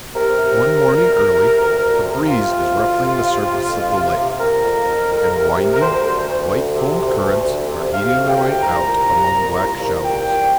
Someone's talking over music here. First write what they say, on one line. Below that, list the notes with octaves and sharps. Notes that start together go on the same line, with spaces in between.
One morning early, a breeze is ruffling the surface of the lake, and winding, white-foamed currents are eating their way out among black shallows.
C3 A#4
C3
C3
D2
C3
C3
D2
D2
C3
C3 F4
C3
D2
C3
C3
C3
F2
C3
C3
C3 A#4
F2
F2
F2
C3
C3
A#4
D2 C5
D2
D2
D2
C3
D2
D2
D2
C3
C3 F5
D2
G5
C3
C2 A#5
A#2
C2
A#2
C2
A#2
C2 G5
A#2